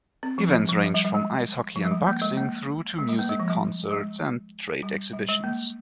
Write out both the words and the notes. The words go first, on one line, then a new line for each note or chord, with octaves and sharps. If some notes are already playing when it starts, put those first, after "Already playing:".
Events ranged from ice hockey and boxing through to music concerts and trade exhibitions.
C4
F3
G3
F3
G3
G3
G3
G#3
F3
G#3
G3
A#3
G#3
A#3
G#3
G3
A#3
G#3
F3
G3
G#3
G3
G3
G#3
A#3